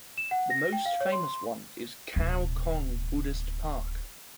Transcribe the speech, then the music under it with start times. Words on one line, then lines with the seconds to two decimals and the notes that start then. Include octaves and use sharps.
The most famous one is Khao Kong Buddhist Park.
0.18 E7
0.31 F#5
0.50 A#6
0.73 G5
0.86 F5
1.01 C#5
1.12 C6
2.16 D1 B2